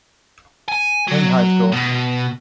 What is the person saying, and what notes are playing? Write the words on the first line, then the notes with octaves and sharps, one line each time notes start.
King High School.
G#5
F#3
B2